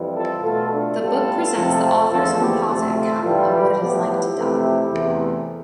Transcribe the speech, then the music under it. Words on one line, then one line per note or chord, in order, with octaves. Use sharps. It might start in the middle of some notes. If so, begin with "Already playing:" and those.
The book presents the author's composite account of what it is like to die.
Already playing: F2 E3 G3
F4 A4
B2 A3 F4 A4
D4 F4
A2 G3 B3 F4 A4
F2 C3 F3 A3
E2 D3 F3 A3 F4 A4
E4 G4
D2 C3 F3 A3 F4 A4
F4 A4
G2 E3 G3 F4 A4
G4 B4
A2 F3 B3 E4 G4
F2 C3 E3 A3
E2 C3 E3 A3